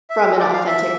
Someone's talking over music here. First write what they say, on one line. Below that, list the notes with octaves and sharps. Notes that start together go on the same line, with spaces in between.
from an authentic
E5
D5
F5
E5